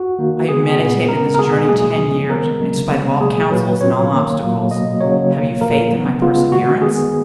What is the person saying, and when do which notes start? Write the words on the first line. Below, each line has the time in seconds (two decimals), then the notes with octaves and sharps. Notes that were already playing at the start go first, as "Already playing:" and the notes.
I have meditated this journey ten years, in spite of all counsels and all obstacles--have you faith in my perseverance?
Already playing: F#4
0.19 D#3 A#3
0.49 C#3 G#3 B3 G#4
0.79 A#2 G#3 B3
1.08 C#3 G#3 B3 A#4
1.34 A#4
1.39 B2 G#3 B3 G#4
1.69 B2 F#3 A#3 G#4
1.99 C#3 F3 G#3 B3
2.30 D#3 G#3 B3 A#4
2.60 C#3 F#3 A#3
2.90 C#3 G#3 B3
3.20 B2 F#3 A#3 G#4
3.50 A#2 F#3 A#3 B4
3.81 A#2 F#3 B3 C#5
4.10 D#3 A#3
4.41 A#2 F#3 A#3
4.71 B2 F#3 A#3 D#5
5.01 C#3 F#3 A#3 C#5
5.31 B2 A#3
5.61 A#2 F3 A#3 A#4
5.92 C#3 F#3 B3
6.22 C#3 G#3 B3 F4
6.52 D#3 A#3 F#4
6.82 D#3 G#3 B3 G#4